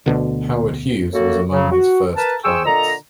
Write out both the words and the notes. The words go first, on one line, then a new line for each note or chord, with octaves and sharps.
Howard Hughes was among his first clients.
D2 B2 D3
F#2 A#3 F#4 A4
C#3 F#3
F#4
A#4 B4 A5
G#4 C5 G5 C#6 E6
A#2 D3 A4 D#5 A#5